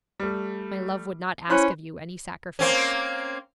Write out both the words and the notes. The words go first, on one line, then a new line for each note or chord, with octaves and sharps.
My love would not ask of you any sacrifice.
G3 A3
C#4 E4 C5 B5 F#6
A#3 C4 C#4